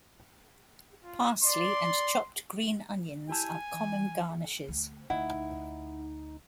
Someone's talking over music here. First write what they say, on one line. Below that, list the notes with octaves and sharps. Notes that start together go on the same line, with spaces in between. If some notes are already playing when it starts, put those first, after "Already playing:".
Parsley and chopped green onions are common garnishes.
F4
D5 C6
E4 G4 G#5 A5
E3
D2
D2 D#4 E4 F#5